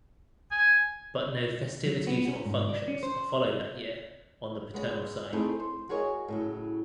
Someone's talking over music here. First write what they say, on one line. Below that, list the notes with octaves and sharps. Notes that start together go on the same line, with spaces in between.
But no festivities or functions are followed that year on the paternal side.
G#5
F#3
B3
C#4
G#2
D5
C#4
C5
G#3 B3 C#4
A3 C4 D#4 E4 G#4
C5
F#4 G#4 A#4 C#5 D#5 G#5
A2 C#3 F#3